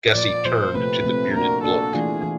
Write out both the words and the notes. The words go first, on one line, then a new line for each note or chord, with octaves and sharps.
Gussie turned to the bearded bloke.
A#2 F3 A#3 D5
A#2 F3 A#3 C5
C3 F3 A3 C4 B4
C3 F3 A3 C4
A#3 D4 F#4 A#4
A#3 D4 F#4 A4
E3 A3 D4 F4 G#4
E3